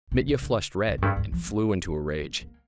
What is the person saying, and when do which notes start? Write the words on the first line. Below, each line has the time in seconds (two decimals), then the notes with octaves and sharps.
Mitya flushed red and flew into a rage.
0.12 C3
0.28 C3
0.42 D3
0.88 D3
0.98 F2
1.02 G2
1.17 G2
1.32 F3
1.47 G3
2.22 G3
2.41 A#3